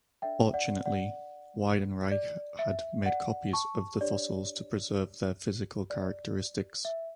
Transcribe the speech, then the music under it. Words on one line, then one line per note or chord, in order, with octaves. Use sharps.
Fortunately, Weidenreich had made copies of the fossils to preserve their physical characteristics.
D4 A4 D5 E5 G5
D5 F#5
D5 F#5
D5
E5
D5 F#5
A5 C#6
D4 G4 C#5 D5
D5
E5